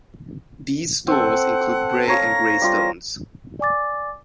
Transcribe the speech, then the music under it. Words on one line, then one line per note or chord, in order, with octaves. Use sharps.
These stores include Bray and Greystones.
C4 A4 F#5
A#4 C#5 F5 A#6
G3 F4
D5 G#5 D6 A6